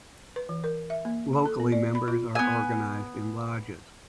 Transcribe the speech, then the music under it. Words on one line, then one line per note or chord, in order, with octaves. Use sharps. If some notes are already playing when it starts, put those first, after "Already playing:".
Locally, members are organised in lodges.
B4
E3
A#4
E5
A#3
A4
B3
D5
B5
F4
B3 G#5